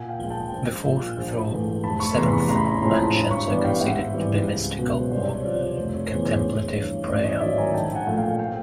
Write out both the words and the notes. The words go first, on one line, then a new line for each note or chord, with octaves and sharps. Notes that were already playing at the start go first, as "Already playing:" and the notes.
The fourth through seventh mansions are considered to be mystical or contemplative prayer.
Already playing: A#2 F#5 G#5
F5 G5
F3 G#3
G5 A5
A#1
A#2 F3
A#1
G#2 E3 A3
F1 A5 B5
B5 C#6
B5
E2 C3 E3 A#5 C6
B5 C#6
A1 A#5 C6
B5
A#5 C6
A2 F3 G#3 C4 A#5 C6
A5 B5
G2
B5 C#6
E3 G3 B3 D4
F5 G5
G#2 E5 F#5
E3 G3 C4
C#2
B2 F#3
C5
C#5
C2 C5 D5
C#5
C3 F3 C5 D5
C5 D5
F1 C5
C#5
E2 C#3 E3 C5
C5
G#1 C#5
G2 E3 C#5
A1 C5 D5
C#5 D#5
G#2 D#3 F#3 D5 E5
G#5 A#5
A#1 G5 A5
F#5 G#5
A#2 F3 A3
F5 G5
F5 G5